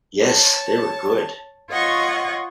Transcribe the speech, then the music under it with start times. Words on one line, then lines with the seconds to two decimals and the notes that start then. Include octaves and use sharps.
Yes, they were good.
0.20 C#5 A5
1.69 F4 C#5 D#5 F#5 C#6